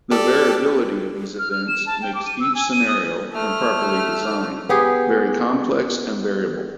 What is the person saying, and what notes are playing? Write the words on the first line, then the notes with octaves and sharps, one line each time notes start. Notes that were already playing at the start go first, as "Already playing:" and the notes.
The variability of these events makes each scenario-when properly designed-very complex and variable.
G4 A4 D5
F6
F6
E7
A5
G5
D6
D#7
E6
G#5
D#7
D#6
A3 F6
B3 G4 G#4